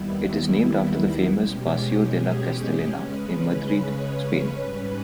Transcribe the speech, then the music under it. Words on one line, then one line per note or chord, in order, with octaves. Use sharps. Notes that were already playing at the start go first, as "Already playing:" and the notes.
It is named after the famous "Paseo de la Castellana" in Madrid, Spain.
Already playing: D#2 D#3 G3 B3 E4
E4
B2 G#3 C#4 G4
G#4
C#3 G#3 C#4 B4
C#5
C#5
G#2 G3 C#4 B4